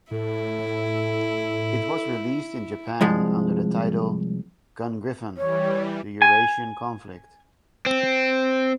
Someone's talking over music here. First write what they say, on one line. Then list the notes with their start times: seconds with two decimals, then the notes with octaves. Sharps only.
It was released in Japan under the title "Gungriffon: The Eurasian Conflict".
0.11 A2 E4 A4
3.01 C2 F3 G#3
5.37 E3 G3 C#5
6.22 G#5
7.86 C4